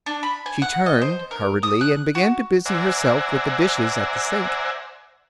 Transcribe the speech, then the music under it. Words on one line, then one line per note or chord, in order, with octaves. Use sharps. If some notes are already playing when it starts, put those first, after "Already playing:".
She turned hurriedly and began to busy herself with the dishes at the sink.
D4
B5
G#5
F#5
D#5
C5
A#4
D#6
F#6
F#4
C5 D5 E5 F#5 G#5 A#5